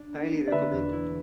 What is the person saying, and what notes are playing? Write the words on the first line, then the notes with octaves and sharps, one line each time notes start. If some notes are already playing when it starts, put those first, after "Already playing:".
Highly recommended.
Already playing: D4
B3
B3
D5
D3 B4 E5
E1
E4